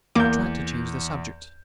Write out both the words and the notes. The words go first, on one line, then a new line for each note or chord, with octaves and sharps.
He tried to change the subject.
E2 A#3 D6 G6